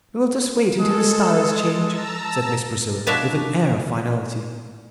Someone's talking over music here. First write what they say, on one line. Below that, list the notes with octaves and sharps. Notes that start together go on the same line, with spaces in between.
"We will just wait until the styles change," said Miss Priscilla, with an air of finality.
G#3 A4
A5 A#5 E6
B2 F#3 D4 E5 F5